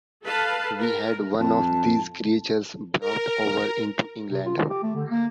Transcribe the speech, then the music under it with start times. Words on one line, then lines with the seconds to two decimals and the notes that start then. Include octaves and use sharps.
We had one of these creatures brought over into England.
0.23 A4 B4 F5 A5
0.79 A#4
1.40 F2 A5
3.00 A#4
4.31 C3
4.45 F4
4.57 D#3
4.70 G4
4.83 A3
4.95 D3
5.10 A#3